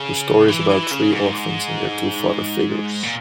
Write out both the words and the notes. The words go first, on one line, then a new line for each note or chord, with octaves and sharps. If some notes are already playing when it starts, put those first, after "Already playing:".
The story is about three orphans and their two father figures.
Already playing: C#3
E3
E3
C#3
G#2
A#2